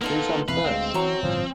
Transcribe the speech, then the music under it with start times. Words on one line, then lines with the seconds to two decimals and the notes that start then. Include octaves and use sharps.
Who's on First?
0.01 A#3 B3 D#4 F4 A4
0.48 E1 D2 E3 C4 B4 F5
0.65 D2 G#3 C4
0.94 F#2 E3 F#4 A#5
1.23 G1 A2 F3